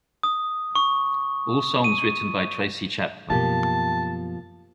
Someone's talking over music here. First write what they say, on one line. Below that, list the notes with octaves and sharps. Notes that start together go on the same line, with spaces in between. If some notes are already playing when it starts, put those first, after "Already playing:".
All songs written by Tracy Chapman.
D#6
C#6
D#7
F#2 B2 F3 A#3 G4 A5